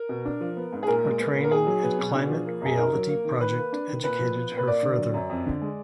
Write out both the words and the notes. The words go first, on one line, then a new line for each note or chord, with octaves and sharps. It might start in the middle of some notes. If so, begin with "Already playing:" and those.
Her training at Climate Reality Project educated her further.
Already playing: A#4
B2
D4
F3
B3
G#2
G#4
A#2 A#4
G#3
B3
A#2
A#4
D#4 G#4
F#3
B3
B2
D4
F3
A#3
F#2 G#4
D#4 A#4
F#3
A#3
D#3
D#3 B4
A#3
D4
D#3
A#2 B4
F3
B3
A#2
B4
A#3 D5
D3
F#3
F#2
F2
D3
G#3